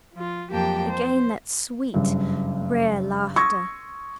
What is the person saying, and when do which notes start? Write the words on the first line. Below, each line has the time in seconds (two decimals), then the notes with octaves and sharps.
Again that sweet, rare laughter!
0.14 F3 F4
0.50 F2 F#3 A#3 G4 G5 A5
0.90 C5
1.94 F#1 G2
3.36 C6 C#6 D#6 E6 G#6 A#6